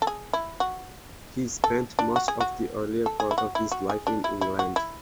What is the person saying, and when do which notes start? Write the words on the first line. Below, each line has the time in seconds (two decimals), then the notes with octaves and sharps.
He spent much of the earlier part of his life in England.
0.02 A4
0.07 G#4
0.33 E4
0.60 F#4
1.64 A4
1.99 D4
2.16 F#4
2.28 G#4
2.40 F#4
3.06 A4
3.20 G#4
3.31 E4
3.38 F#4
3.55 E4
3.72 F#4
3.90 G#4
4.07 D4
4.24 E4
4.41 E4
4.59 F#4
4.76 E4